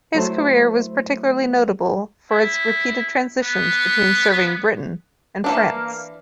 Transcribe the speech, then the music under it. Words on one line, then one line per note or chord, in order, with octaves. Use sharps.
His career was particularly notable for its repeated transitions between serving Britain and France.
F#3 A3 E4 C5
E4
B3
E3 F#3 A#3 D4